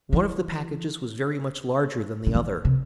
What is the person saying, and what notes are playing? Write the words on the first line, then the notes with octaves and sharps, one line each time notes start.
One of the packages was very much larger than the other.
E3
D3
D#3
C3